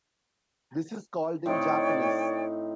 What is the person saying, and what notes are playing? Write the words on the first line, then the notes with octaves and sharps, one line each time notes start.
This is called in Japanese.
A2 C4 D#4 C#5 D5 G5